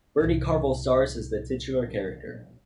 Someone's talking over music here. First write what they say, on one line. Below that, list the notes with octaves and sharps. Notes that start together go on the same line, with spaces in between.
Bertie Carvel stars as the titular character.
C2 A2